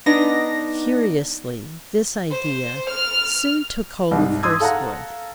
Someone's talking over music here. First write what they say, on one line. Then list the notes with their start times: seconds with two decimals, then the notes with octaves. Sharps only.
Curiously this idea soon took hold of Hurstwood.
0.06 B3 D4 D#4 A#6
2.31 C5
2.90 F6
4.11 C2 G#2
4.43 C6 D#6 E6 G#6
4.60 A4 F5 F#5 A#5